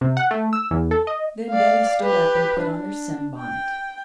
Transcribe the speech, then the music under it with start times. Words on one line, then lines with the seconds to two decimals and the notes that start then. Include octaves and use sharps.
Then Betty stood up and put on her sunbonnet.
0.01 C3
0.17 F#5
0.31 A3
0.53 E6
0.71 E2
0.91 A4
1.07 D#5
1.50 D5 F5
2.02 G4 B4
2.60 D4
3.40 G5